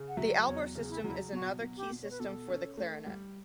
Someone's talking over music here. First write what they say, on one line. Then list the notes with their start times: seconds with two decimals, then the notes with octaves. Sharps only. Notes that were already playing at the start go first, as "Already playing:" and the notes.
The Albert system is another key system for the clarinet.
Already playing: C#3
0.08 F#5
0.17 F#3 E5
0.46 E2 C#5
0.75 C#3
0.89 E4
1.04 F#3 E4
1.33 B2 F#4
1.62 B2
1.76 G4
1.91 B2
2.02 C#5
2.11 B4
2.20 B2 A4
2.48 C#4
2.77 A3
3.06 G3